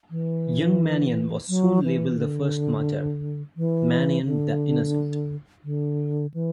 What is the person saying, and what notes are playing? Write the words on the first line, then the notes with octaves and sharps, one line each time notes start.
Young Manion was soon labelled the first martyr, Manion the Innocent.
E3
F#3
E3
D3
E3
D3
D3
E3